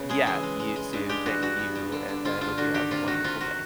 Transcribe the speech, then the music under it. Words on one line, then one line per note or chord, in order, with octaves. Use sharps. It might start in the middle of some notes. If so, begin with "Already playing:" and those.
Yeah, you too. Thank you, and I hope you have a wonderful day.
Already playing: C#3 B4
G#3 G#4
E3 G#4
G#3
G#3
G#3
G2
G#3 G4
E3 F#4
G2 F#4
B3
G2
D3
D3
D3 F4
G2 F4
D3 F#4
D#3 G4
C3 F4
D#3 F#4
C3 F4
C3 F#4